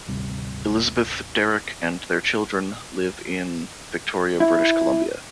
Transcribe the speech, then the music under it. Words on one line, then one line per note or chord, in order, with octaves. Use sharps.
Elizabeth, Deryk and their children live in Victoria, British Columbia.
G#1 D2 C3 G3
E4